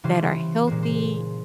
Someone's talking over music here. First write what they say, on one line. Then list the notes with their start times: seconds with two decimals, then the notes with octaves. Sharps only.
that are healthy
0.04 C#3 E3 G3 C5
0.67 A#2 G#3 C5
0.83 C5